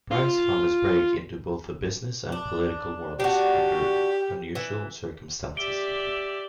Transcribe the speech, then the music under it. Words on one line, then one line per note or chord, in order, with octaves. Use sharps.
Brice found his break into both the business and political worlds under unusual circumstances.
F4
D4
D4 F#4 G4
E3
G4 D5 E5 D7 G7